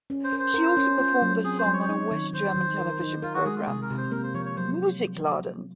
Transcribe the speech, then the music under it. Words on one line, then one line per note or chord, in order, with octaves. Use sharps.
She also performed the song on a West German television program Musikladen.
C#4
C5
A#4
C5
A#4
C#4
F4
F#3
C4 G#4
C5
F#3
C#5
D#4
D#3
D#3 C5
D#3
A#4
D#4
F4 A#4
F#4
G#3 G#4
F4
C3 G#4
A#4
C3
C5
A#3 A#4
C5
F3 C#5
C#5
F#3 C5